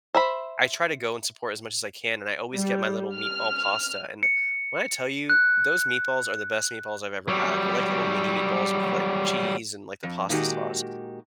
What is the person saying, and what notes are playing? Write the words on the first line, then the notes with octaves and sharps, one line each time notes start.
I try to go and support as much as I can, and I always get my little meatball pasta. And, uh, when I tell you, those meatballs are the best meatballs I've ever had. They're like little mini meatballs with, like, cheese and, like, the pasta sauce.
C5 E5 B5
G3
F6
C#7
F#6
F#3 G3
F2
A#2 D#3 G#3 C#4 F#4 G4